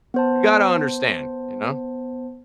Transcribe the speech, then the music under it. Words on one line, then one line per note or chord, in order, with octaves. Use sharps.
you gotta understand," you know?
B3 C5 A5